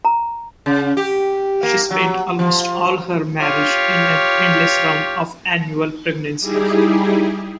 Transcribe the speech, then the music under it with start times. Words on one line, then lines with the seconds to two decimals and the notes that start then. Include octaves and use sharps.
She spent almost all her marriage in an endless round of annual pregnancies.
0.05 A#5
0.66 C#3
0.97 G4
1.63 A#3
1.91 F#3
2.39 F3
3.40 F4 G4 C#5
6.40 G3 D#4 E4 G4 G#4